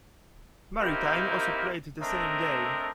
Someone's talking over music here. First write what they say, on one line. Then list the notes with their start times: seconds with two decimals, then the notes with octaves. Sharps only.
Maritime also played the same day.
0.80 A#3 C4 D#4 E4 G4 A#4
2.01 A3 C4 D4 A#4 D#5 E5